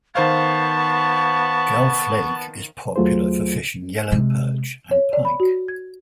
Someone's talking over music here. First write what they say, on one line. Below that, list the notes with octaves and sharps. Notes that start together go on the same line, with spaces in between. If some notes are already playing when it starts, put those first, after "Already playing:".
Guelph Lake is popular for fishing yellow perch and pike.
D#3 B3 C5 F5 A5 C#6
D#2 F#3 A3 F4 G#4 C5
C3 G#3
C#5
D5
B5
F#4
G#6